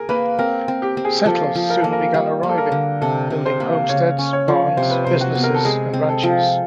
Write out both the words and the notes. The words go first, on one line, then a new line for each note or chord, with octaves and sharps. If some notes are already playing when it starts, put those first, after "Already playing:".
Settlers soon began arriving, building homesteads, barns, businesses, and ranches.
Already playing: G#4 A#4
A#3 B4
C4 A#4
C4
G4
C4
G#4
F3 A4
F3
A#4
A#3 A4
A#4
G3
A#3
A4
A#4
D3
C3 A4
C3
C5
A#3
C#3 C#5
C#4
C#5
F3
C3 C5
B4
C3 C5
F#4
B3
A#4
A4
G#3 G#4
C4
A4
F3